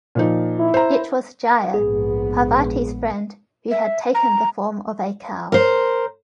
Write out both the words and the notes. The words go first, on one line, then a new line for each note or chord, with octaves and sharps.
It was Jaya - Parvati's friend, who had taken the form of a cow.
A#2 F3 D#4
E4
C5 A#5
A#1 G#2 B3 G#4
E5
A#5
A#4 C5